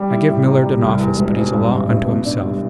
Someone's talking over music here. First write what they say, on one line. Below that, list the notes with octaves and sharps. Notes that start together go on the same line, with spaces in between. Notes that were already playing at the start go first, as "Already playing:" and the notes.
I give Millard an office but he's a law unto himself.
Already playing: G3
E4
A2
C3
G3
C2
E2
E1
E1
G2
A1
A1
B2
D4
C2